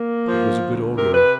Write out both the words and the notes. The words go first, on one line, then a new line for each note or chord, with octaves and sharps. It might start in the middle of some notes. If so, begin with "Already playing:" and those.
It was a good augury.
Already playing: A#3
F3
D2
C3 A#4
B4